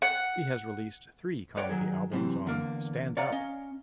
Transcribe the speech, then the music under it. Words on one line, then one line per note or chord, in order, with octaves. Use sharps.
He has released three comedy albums on Stand Up!
F#5
B4 C#5 D5 F#5 G5
D#3 F#3 G#4
F#2 C3 E3
E2 D3 A#3
C#5 D5 F5 F#5 A#5
C#4 D#5 F5